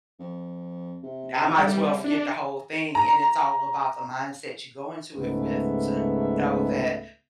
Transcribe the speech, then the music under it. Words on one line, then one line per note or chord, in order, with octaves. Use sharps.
eh, I might as well forget the whole thing." And it's all about the mindset you go into it with to know that,
F2
C3
G3
D4
A#5
C#2 G#2 A3 B3 E5